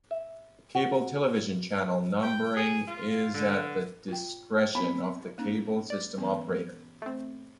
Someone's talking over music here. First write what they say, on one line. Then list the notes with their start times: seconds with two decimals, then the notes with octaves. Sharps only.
Cable television channel numbering is at the discretion of the cable system operator.
0.11 E5
0.75 F#4
2.23 G5
2.57 G#4
2.88 F4
3.34 D3
4.08 F4 G5
4.75 B3 C4 B5
5.38 A#3 C#4 D#4
5.90 D5
6.18 E3 B3 C#4
7.02 A3 C4